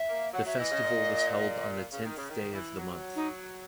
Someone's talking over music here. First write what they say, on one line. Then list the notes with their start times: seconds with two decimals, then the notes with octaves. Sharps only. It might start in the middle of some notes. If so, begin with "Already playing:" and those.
The festival was held on the tenth day of the month.
Already playing: E5
0.08 A#3
0.33 F#3 F#5
0.45 F#3 E5
0.58 E3 D#5
0.70 C#3
0.82 A#2
1.92 C#3
2.04 D#3
2.17 C#3
2.30 D#3
2.53 E3
2.77 F#3
3.15 D#4